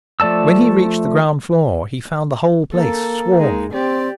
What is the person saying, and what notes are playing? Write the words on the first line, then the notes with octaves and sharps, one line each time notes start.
When he reached the ground floor he found the whole place swarming.
F3 A3 D5 A5 E6
A#3 A4
G#3 D#4
C4 G4 D5